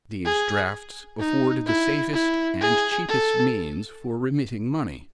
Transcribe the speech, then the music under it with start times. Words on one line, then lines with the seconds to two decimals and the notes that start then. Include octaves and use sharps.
These drafts afford the safest and cheapest means for remitting money.
0.25 G#4
1.20 D#4
1.66 E4
2.13 E4
2.61 G#4
3.08 A4